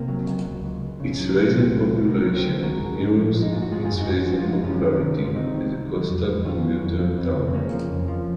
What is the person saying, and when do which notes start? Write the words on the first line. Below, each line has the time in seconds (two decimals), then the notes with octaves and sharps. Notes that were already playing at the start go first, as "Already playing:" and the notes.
Its rise in population mirrors its rise in popularity as a coastal commuter town.
Already playing: C3 A#3
0.08 F#3
0.27 C#2
0.44 F#3
0.64 C#2
0.81 C#2
1.00 C#3
1.18 F#3
1.35 C#2
1.54 F#3 C4
1.73 C#2
1.91 C#2
2.08 C3 A#3
2.26 F#3
2.36 C4
2.44 C#2
2.63 G#3 F#4 A#4
2.81 G#2
3.00 G#2
3.18 F3
3.36 G#3
3.42 D#4
3.53 G#2 F4
3.62 F#4
3.72 G#3 F4 G#4
3.85 F4 G#4
3.91 F#2
3.99 D#4 F#4
4.09 F#2 C#4 F4
4.26 F3 F#4
4.39 F4
4.45 G#3
4.52 D#4
4.62 F#2 C#4 F4
4.81 D#3
5.00 C2
5.17 G#3
5.25 F4
5.36 C3 C4 D#4
5.54 D#3
5.71 C2
5.90 F#3
6.09 F2
6.26 F2
6.45 D#3 C#4 F4
6.63 F#3
6.81 F2
6.99 F3 C4
7.17 F2
7.36 F2
7.48 C4
7.53 C#3 A#3 C#4
7.72 F3
7.90 F2
8.08 F3